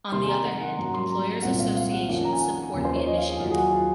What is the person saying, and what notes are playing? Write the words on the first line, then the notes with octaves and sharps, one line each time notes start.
On the other hand, employers’ associations support the initiative.
C3 D#3 A#3 C6
G#5
A#5
F#5
F#5
G#2 F#3 A#3 C#4 A#5
C6
A#5
C2 A#2 G#3 C4 F#5
F5
F5
F#5
F2 D#3 A#3 C#4 F5
F#5
A#5
G#5
D#2 C#3 F3 A#3 G#5
C5
C#5
D#5
F5
G#4
D#2 D#3 F#3 F4
G#4
F#4
F4